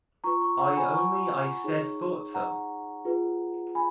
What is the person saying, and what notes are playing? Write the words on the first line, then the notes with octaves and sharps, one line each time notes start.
I only I said thought so.
F4 B4 A#5 C#6
A#5 C#6
F#5 A#5
G#5 B5
A#5 C#6
D#4 G#4 C#5
F#5 A#5
F4 G#4 B4
G#5 B5